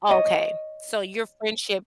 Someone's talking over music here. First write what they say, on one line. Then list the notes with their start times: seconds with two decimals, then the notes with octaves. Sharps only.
Oh, okay. So, your friendship
0.09 C#5 D#5